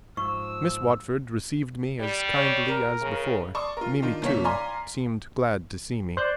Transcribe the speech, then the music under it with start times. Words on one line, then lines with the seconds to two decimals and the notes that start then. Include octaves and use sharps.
Miss Watford received me as kindly as before; Mimi, too, seemed glad to see me.
0.17 G#2 F3 C#6 E6
2.01 G3 D5
2.34 C#5
2.67 A#4
3.01 C#3
3.55 D5 A5 C6 C#6 D#6
3.77 F4 A#4
4.02 D#3 D4 F4
4.22 C2 A#3 C#5 B6
4.44 D5 F5 G#5 A#5 C6
6.17 C5 D5 F#6 G6